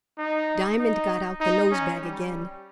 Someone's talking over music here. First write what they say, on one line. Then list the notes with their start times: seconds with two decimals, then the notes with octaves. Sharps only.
Diamond got out the nose-bag again.
0.18 D#4
0.79 D#4
1.40 D#4
1.71 C#4
2.02 G3